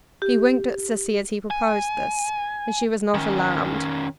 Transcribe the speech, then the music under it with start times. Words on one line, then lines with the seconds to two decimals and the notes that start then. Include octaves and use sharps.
He winked at Sissy as he proposed this, and she was not alarmed.
0.22 G4
1.51 G#5
3.14 D#3 C#4